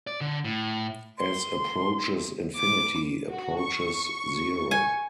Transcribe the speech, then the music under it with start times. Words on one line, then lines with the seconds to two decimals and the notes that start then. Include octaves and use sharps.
As approaches infinity, approaches zero.
0.07 D5
0.21 D3
0.44 A2
1.19 C6
2.56 D6
3.30 F#4
3.60 C#6
4.71 G#5